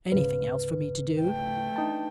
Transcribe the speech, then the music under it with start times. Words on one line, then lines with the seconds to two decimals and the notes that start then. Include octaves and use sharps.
"Anything else for me to do?"
0.12 D2 G#2 C#3 B4
1.21 A3 G5
1.76 D4 D#4 A5